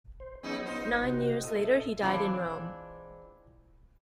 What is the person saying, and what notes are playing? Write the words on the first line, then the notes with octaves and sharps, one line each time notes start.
Nine years later he died in Rome.
C5
F#3 B3 C#4 D#4 E4 G#4
B3 D#4 F4 C5
G1
C3 F#4 G4
A#2 A4 D#5 E5
E3 G#3 A3 C4 D4 F4